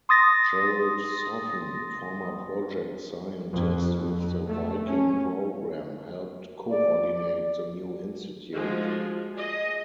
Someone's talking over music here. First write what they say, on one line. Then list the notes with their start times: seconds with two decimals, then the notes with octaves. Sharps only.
Gerald Soffen former Project Scientist with the Viking program, helped coordinate the new institute.
0.09 C6 D#6 A6 A#6
3.52 F2
3.96 F2
4.48 A3
4.87 C#4
6.69 D5
8.53 F3 G#3 A3 F#4
9.34 G#4 D#5